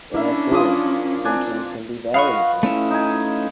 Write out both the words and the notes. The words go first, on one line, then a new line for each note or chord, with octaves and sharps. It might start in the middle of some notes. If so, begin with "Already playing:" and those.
Therefore, symptoms can be variable.
A#3 C#4 D4 E4 E5
F3 A#3 F4 D#6
C4 D4 G#5
F4 B4 D#5 F5 F#5 C#6
A3 C#4 E4
D#4 G#5